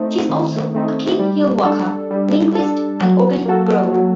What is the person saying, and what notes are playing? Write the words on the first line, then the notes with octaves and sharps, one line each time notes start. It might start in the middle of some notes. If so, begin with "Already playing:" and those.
She is also a keen hill-walker, linguist and organic grower.
Already playing: A3 C4 D#4
D#3
A3 C4 D#4
G3
D4 A4
G3
D4 A4
F#3
A#3 F#4 A4
F#3